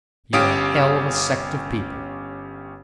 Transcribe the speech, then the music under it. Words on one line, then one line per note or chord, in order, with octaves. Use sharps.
You're a hell of a sect of people.
G1 C#4 G4 F5 D#6 D7